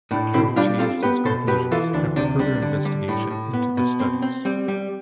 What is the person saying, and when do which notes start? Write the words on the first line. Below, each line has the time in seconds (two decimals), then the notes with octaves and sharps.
But Carroll changed his conclusions after further investigation into the studies.
0.11 A2 D4
0.33 B2 C4 E4
0.56 G3 D4 F4
0.79 C4 F4 A4
1.03 B3 G4 B4
1.25 B2 A4 C5
1.47 B2 G4 B4
1.71 E3 F4 A4
1.93 D2 D4
2.16 C3 D4
2.39 G3 D4
2.62 D3
2.85 G3
3.08 A2
3.30 A2
3.53 B3
3.77 B2
4.00 C4
4.22 C4
4.45 G3 C4
4.68 G3